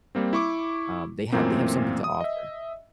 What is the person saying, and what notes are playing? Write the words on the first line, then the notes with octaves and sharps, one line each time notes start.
um, they have, they have something to offer.
G3 A#3 C4
E4 C#6 D6
F#2 A#2 E3 A3 A#3 C4
D#6
D#5 E5